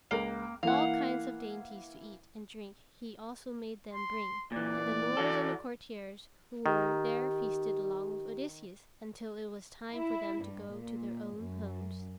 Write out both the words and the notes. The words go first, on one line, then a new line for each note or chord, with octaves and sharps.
All kinds of dainties to eat and drink he also made them bring, and the lords and the courtiers who were there feasted along with Odysseus, until it was time for them to go to their own homes.
C#2 A#3 A#4
E3 A#3 E4 F5 F#5
C6
A#2 E3 D5
E3 F#4 A4
D#3 G4
E4
G2
A#2
F#2